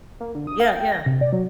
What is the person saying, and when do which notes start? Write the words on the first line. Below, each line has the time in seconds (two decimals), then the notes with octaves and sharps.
Yeah, yeah.
0.20 A#3
0.35 D3
0.47 D#6
0.60 F5
0.75 G5
0.92 A#6
1.06 C3
1.21 D5
1.33 F#3